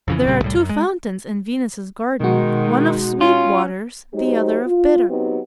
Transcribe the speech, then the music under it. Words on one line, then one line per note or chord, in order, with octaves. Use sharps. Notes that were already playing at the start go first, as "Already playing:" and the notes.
There are two fountains in Venus's garden, one of sweet waters, the other of bitter.
F2 C#3 E3
D1 A#2 C#3 G3
C2 A2 G3
F#2
G#3
B2 D#3 G#3 D#4 F#4
C#4 F4
F#3 G#3 D#4 G4 C5
F4
F#3 B3 C4 D#4 G4